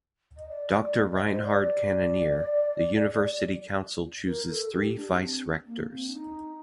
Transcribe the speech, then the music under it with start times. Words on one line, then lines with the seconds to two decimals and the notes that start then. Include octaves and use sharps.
Doctor Reinhard Kannonier, the University Council chooses three Vice-Rectors.
0.37 D#5
0.49 D5
0.81 D5
1.11 D#5
1.32 C5
1.43 D5
4.26 A#4
4.49 A4
4.72 G4
4.96 D4
5.20 C4
5.66 A#3
5.90 C4
6.08 D4
6.14 D#4